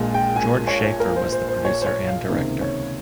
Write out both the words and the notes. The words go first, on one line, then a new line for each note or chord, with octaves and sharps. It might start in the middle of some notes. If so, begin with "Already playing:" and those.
George Schaefer was the producer and director.
Already playing: A#1 A#2 G#3
G5
G#5
C#5
A#4
C5
C5
C5
C#5
C5
C#5
F5
C#2 C3 D#3 A#3
C#5